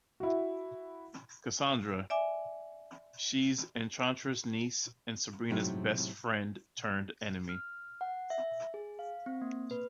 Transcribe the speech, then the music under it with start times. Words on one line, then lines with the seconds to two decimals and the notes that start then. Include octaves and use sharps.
Cassandra: She's Enchantra's niece and Sabrina's best friend-turned-enemy.
0.20 E4 F#4
2.10 D5 E5 G#5 D6
5.50 A2 C3 F#3 G#3 D#4 E4
7.49 F6
8.01 F#5
8.30 E5
8.74 G#4
8.99 F5
9.26 C4
9.41 A#3
9.71 B4